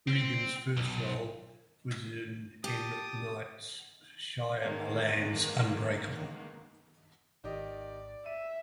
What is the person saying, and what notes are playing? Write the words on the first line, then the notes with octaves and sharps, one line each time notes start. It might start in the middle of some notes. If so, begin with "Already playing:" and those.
Regan's first role was in M. Night Shyamalan's "Unbreakable".
C4
B1
G4 A5 D#6
D3 D#3 G#3 A#3 B3
G#1 D#3 G4 D5 D#5
E5 D#7